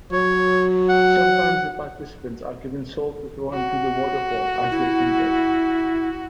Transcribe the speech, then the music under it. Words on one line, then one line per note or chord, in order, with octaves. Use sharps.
Sometimes the participants are given salt to throw into the waterfall as they enter.
F#3 C#5
F#5
F#4
E4